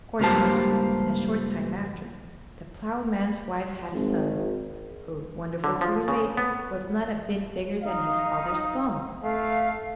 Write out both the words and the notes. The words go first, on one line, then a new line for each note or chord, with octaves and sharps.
Accordingly, in a short time after, the plowman's wife had a son, who, wonderful to relate, was not a bit bigger than his father's thumb!
C#2 G2 A#3 G4 C5 A5
G#1
D3
F3
C#3
B3
D#4 F5
A3 F5